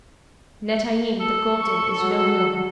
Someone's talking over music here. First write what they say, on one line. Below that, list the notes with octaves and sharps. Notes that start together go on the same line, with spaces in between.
Netaim, the golden, is no more.
A4
C#6
F#3